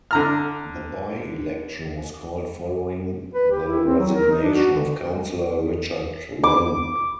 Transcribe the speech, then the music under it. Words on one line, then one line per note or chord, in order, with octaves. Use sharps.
The by-election was called following the resignation of Councillor Richard Lowe.
D3 A#5 F6
B4
G4
E4
C4
F#3
A#4
D#4
D4
F#4
D3
D6